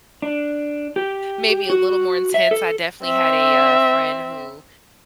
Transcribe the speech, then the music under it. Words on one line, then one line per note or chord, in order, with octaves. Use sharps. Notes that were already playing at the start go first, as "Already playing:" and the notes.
maybe a little more intense, I definitely had a, uh, friend who
D4
G4
F#4
E5
A4
C4 E5